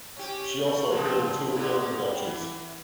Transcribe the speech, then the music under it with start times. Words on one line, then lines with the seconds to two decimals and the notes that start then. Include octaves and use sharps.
She also appeared in two film productions.
0.17 C#4 G4
0.64 A3
0.91 C#3 F3 C4
1.52 A2 D3
2.00 G3
2.24 E3